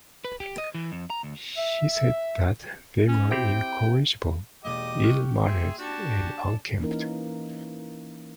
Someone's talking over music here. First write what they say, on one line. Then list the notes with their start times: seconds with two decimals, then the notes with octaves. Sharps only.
He said that they were "incorrigible, ill mannered, and unkempt".
0.25 B4
0.40 G4
0.58 D#5
0.74 E3
0.92 F2
1.10 A#5
1.23 D2
1.57 E5
3.08 C#4
3.31 C4 E4 G4 G5
4.65 E1 A#3 G4 D#5 D6
5.03 C#6 F6 F#6
5.45 G#4 E5 G5 C6
5.78 D4 F#4 G4 A5
6.27 G#5
6.80 E3 A#3 C#4 D#4 A#4